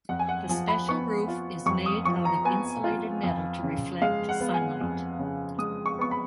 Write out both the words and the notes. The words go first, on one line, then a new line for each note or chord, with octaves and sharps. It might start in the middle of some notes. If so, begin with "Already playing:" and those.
The special roof is made out of insulated metal to reflect sunlight.
F2 F#5
G#5
F#5
F3 G#5
B5
B3 C#6
F4
F2 C#6
D#6
F3 C#6
A#5
B3 G#5
F4
F2
C#3
G#3 F5
F#5
B3
G#5
F2
C#3
G#3 D#6
C#6
B3 C#6
B5